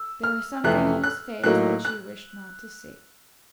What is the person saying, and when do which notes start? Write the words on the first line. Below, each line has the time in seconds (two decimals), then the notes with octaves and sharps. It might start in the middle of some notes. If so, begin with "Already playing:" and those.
But there was something in his face that she wished not to see.
Already playing: E6
0.23 F6
0.64 F2 C3 E3 A3 F#6
1.04 F#6
1.44 A2 F#3 A#3 D#4 F#6
1.85 F#6